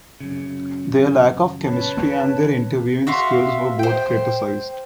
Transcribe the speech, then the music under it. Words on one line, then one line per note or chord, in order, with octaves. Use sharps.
Their lack of chemistry and their interviewing skills were both criticized.
F#2 C#3
B4 C#5 A5
F#4 E5 F5 C6
C5 G5